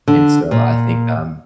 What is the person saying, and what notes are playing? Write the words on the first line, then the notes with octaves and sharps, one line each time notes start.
and so I think, um
D3
A#2